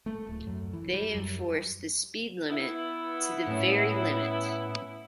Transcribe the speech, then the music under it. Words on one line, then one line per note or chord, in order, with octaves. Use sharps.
They enforce the speed limit to the very limit!
A3
D1
F#2
E3
G3
F#2
B3 E4
A2 C#4